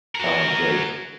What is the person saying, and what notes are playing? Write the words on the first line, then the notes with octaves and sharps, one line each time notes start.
um, like
F#4 A#4